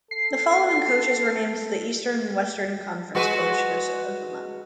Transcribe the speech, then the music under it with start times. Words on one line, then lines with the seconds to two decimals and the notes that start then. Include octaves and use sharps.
The following coaches were named the Eastern and Western Conference Coaches of the Month.
0.11 A4 C7
3.15 G#3 F#4 B4